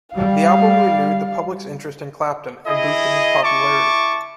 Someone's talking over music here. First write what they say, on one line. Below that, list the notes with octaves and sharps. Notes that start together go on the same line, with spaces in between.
The album renewed the public's interest in Clapton, and boosted his popularity.
G3 F5
E4 G#4 D#5
E4 A5 C#6 D6